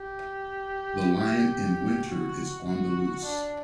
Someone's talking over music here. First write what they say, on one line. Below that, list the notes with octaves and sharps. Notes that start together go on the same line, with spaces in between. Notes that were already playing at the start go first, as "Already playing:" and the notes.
The lion in winter is on the loose.
Already playing: G4
F#4
F#4
D4